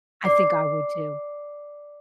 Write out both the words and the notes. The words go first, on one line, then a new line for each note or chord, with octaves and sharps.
I think I would too.
D5 D6 C7